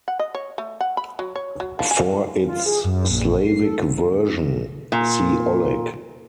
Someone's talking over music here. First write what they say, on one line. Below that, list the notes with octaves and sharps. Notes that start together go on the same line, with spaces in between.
For its Slavic version, see Oleg.
F#5
D#5
C#5
A3
F#5
B5
F#3
C#5
F#3
F3
G#5
F4
G#4
F#2
A#1
C7
A4
A#2